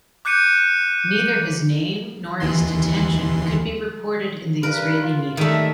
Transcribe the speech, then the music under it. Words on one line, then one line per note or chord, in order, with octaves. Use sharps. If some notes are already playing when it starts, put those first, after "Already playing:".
Neither his name nor his detention could be reported in the Israeli media.
D6 F#6 G6 C#7 D#7
D#2 E3 C6
G2 A#4 B4
F4
D#3 G3 A3 E5